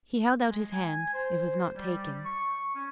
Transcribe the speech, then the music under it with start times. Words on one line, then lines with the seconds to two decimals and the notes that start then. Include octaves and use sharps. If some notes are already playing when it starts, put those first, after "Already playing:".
He held out his hand; it was not taken.
0.47 G#3
0.72 G#5
1.14 C5
1.76 G3
2.24 C#6
2.75 C#4